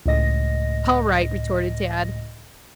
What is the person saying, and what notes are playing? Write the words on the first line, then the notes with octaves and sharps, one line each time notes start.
"All right," retorted Tad.
C#2 A2 D#5 A#6